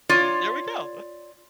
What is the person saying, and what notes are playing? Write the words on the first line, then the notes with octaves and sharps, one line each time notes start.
There we go.
F4 C#5 D5